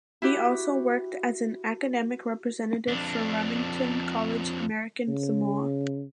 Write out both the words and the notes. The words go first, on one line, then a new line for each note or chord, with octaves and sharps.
He also worked as an academic representative for Remington College American Samoa.
E4 F#4 G4
F2 D4
C#3